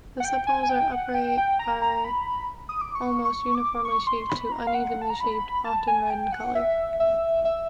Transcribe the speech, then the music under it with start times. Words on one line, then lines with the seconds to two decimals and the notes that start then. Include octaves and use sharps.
The sepals are upright, are almost uniformly shaped to unevenly shaped, often red in color.
0.20 F#5
0.25 G5
0.47 G#5
0.63 G#5
0.69 G5
0.92 F#5
1.14 G5
1.38 G5
1.59 A#5
1.82 A#5
2.04 B5
2.69 D#6
2.81 D6
2.95 C#6
3.25 C#6
3.55 D6
3.85 C#6
4.07 C6
4.29 B5
4.52 A#5
4.67 F5
4.74 F#5
5.02 A5
5.10 A#5
5.20 B5
5.65 A5
5.87 G#5
6.10 G5
6.32 F#5
6.55 E5
7.00 E5
7.45 E5